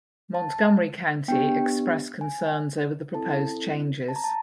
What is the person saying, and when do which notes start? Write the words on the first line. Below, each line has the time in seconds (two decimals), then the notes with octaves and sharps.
Montgomery County expressed concerns over the proposed changes.
0.35 A5
1.28 B3 D4 G4 G5
2.21 G#5
3.14 C4 E4 A4 A5
4.08 A5
4.16 A#5
4.24 A5